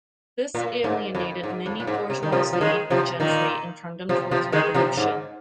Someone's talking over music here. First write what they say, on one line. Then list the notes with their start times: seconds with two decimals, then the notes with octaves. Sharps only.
This alienated many bourgeoisie and gentry and turned them towards revolution.
0.55 A#2
0.84 G#2
1.15 F2
1.43 G#2
1.66 F2
1.80 A#2
1.87 G#2
2.10 C3
2.23 D#3
2.32 C3 F3
2.53 F3
2.61 D#3 G#3
2.90 C3 F3
3.20 A#2 D#3
4.09 C3 F3
4.31 C3 F3
4.52 D#3 G#3
4.74 C3 F3
4.97 G#2